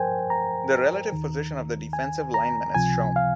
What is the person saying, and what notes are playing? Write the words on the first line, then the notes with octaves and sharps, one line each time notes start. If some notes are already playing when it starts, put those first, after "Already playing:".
The relative position of the defensive linemen is shown.
Already playing: G2 F3 A#4 C5 G5 G#5
A#5
D#2 D#3
G#5
A#5
C#2 C3 F3 G#5
F5